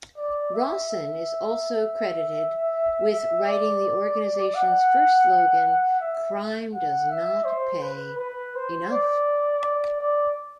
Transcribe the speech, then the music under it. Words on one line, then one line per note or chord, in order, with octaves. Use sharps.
Rawson is also credited with writing the organization's first slogan: "Crime Does Not Pay-Enough".
D5
E5
E5
E5
D5
F#5
E5
F#5
E5
C5
B4
B4
C5
D5
D5
D5